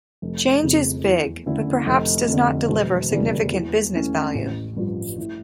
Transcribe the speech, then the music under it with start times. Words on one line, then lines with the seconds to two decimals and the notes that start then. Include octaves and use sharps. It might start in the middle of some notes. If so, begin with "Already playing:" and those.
Change is big but perhaps does not deliver significant business value.
0.22 F1
0.63 F2 C#3
1.04 E2
1.46 D3 A3 C#4 E4
1.87 F1
2.28 F2 D3
2.69 E1
3.11 E2 C#3 G3 A#3
3.52 E2
3.93 E3 A3 C#4
4.35 A1
4.77 G2 F3
5.18 A2